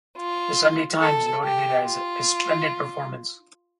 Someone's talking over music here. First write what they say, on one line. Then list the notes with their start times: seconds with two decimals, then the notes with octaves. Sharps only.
"The Sunday Times" noted it as "a splendid performance".
0.17 F4
1.00 A4
1.43 G4
1.84 F4